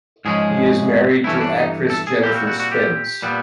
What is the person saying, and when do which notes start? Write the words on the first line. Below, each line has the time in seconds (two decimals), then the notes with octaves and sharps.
He is married to actress Jennifer Spence.
0.25 G#2 F3 G#3 C#4 G#4
1.24 G2 E3 A3 C#4 E4
1.34 C#4
1.41 D4
1.56 D#4
1.90 A4
2.07 G#4
2.23 A#2 G3 C4 G4
2.35 F#4
2.47 F#4
2.60 F#4
2.72 G4
3.22 A#2 G3 B3